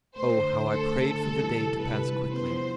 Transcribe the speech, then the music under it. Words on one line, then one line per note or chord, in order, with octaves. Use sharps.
Oh, how I prayed for the day to pass quickly!
A3 C5
D3
D2
D4 A4
A3
D3
G3
E3
C3
C3 B4
G3
E3
B3 C5
F3